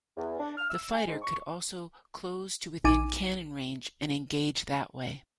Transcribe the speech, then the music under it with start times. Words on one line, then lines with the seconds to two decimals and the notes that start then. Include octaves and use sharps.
The fighter could also close to within cannon range and engage that way.
0.16 E2
0.39 D4
0.57 F6
0.69 E6
0.92 G#5
1.07 G#2
1.22 C#6
2.84 A#1 D#4 G#5 D6 D#7